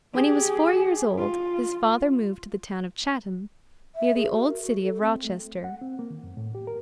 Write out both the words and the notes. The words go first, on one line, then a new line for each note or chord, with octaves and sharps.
When he was four years old, his father moved to the town of Chatham, near the old city of Rochester.
G4 G#4
F4
E5
G#4
F#4
A#4
F#4
A4
C4
A3
F#5
C4
A#3
D#3
F#2
A2
G4
A#4